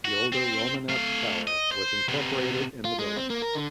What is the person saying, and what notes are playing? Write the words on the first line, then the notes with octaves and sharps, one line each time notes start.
The older Romanesque Tower was incorporated in the building.
F#4
C4
A3 F5
D#5
C5
C3 B3
F4
G#3
C4
A#3
A#4
D3